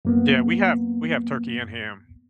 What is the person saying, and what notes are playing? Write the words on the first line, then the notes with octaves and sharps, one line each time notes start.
Yeah. We have we have turkey and ham.
F#2 A#3 B3